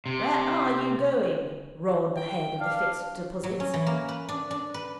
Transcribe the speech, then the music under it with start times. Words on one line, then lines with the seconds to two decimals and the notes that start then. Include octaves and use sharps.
'Where are you going,' roared the head of the Fixed Deposits.
0.06 C3
2.17 G5
2.60 D4 F5
3.43 F#3
3.60 C#4
3.74 E3
3.87 A#3
4.09 B4
4.29 D4
4.51 D4
4.74 B4